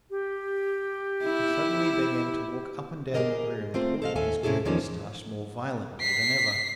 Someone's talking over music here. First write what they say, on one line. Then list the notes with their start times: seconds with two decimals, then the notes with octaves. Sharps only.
He suddenly began to walk up and down the room, pulling his great mustache more violently than ever.
0.10 G4
1.24 E4
3.14 A#3 G4 G#4 A#4 D#5
3.74 A3 C4 F4 C5
4.02 A4 D#5 F5
4.15 D#2 A4 E5 G#5
4.43 A2 C3 C#4 E4 G#4 A4
4.65 E2 D#3 F3 A#3 C#4
6.01 B6 C7